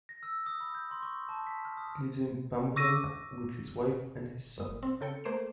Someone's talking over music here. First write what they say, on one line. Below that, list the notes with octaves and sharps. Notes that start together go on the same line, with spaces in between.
He lives in Pamulang with his wife and his son.
A#6
E6
D#6
B5
G6
C6
C#6
A5
B6
F6
D#6
C#6 D6 E6 A#6 D#7
G1 A#2 D#6
C4
C#3 A4 G5 C#7
A3 A#3 C5 C7 D7 E7